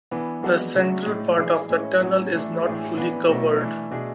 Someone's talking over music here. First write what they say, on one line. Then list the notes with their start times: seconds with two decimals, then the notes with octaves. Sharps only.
The central part of the tunnel is not fully covered.
0.11 E3 B3 D4
0.43 G#3 B3 D4 F#4 A4
0.74 C#3 F#3 A3 D4 F#4
1.06 A2 G#3 D4
1.38 E3 G#3 D4 G#4
1.69 A2 G#3 C#4 E4
2.01 A2 F#3 C#4 F#4
2.33 E3 A3 D4
2.65 A2 E3 A3 D4 G#4
2.96 E3 B3 D4
3.28 B2 F#3 A3
3.60 E3 A3 D4
3.91 B2 A3 D4 G#4